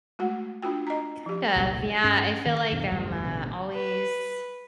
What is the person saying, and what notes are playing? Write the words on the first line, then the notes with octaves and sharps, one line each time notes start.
Kind of, yeah. I feel like I'm, uh, always,
G#3 A3 F#4 F#5
D4 F4 F#4 G5
D#5 A#5
F3 G4
E1 C2 A#2 G3
G2 C#4
D#3
D1 F#2 B2 D4
E1 D2 G2 G3
A1 B2 D3
B4